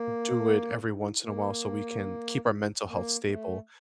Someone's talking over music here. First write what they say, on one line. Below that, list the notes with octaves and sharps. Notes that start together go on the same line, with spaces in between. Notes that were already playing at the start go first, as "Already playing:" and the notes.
do it every once in a while so we can keep our mental health stable,
Already playing: A#3
A#3
A#3
A#3
A3